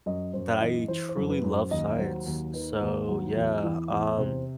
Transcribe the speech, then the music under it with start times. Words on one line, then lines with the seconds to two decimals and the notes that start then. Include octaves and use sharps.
that I truly love science, so, yeah, um
0.06 F#2 D#5
0.34 F#2 C5
0.61 E3 D#5
0.88 E3 C5
1.09 C5
1.16 F#2
1.30 B4
1.44 F#2
1.51 C5
1.71 D#2 D#5
1.98 F#3 C5
2.26 D#2
2.53 D#3 B4
2.81 D#2
3.08 F#3
3.36 E2
3.63 E3
3.91 E2
4.18 C3 C5